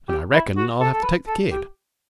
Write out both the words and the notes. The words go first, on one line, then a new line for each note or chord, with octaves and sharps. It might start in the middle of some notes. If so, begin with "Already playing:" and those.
And I reckon I'll have to take the kid.
G4
E4
F#4
A4
A4
B4
A4
G4